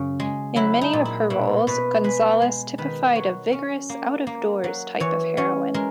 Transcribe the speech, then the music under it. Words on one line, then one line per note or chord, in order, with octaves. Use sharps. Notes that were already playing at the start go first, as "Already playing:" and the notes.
In many of her roles, Gonzalez typified a vigorous out-of-doors type of heroine.
Already playing: F#2 C#3
G#3
F#3 E4
D#4
A#2
E4
B2 E4
B2 B4
G#3 B4
G#3
D#3 B4
F#3 C#5
C#4
A#3
A#3
F#3
E3 C#5
C#4 C#5
G#3 A#4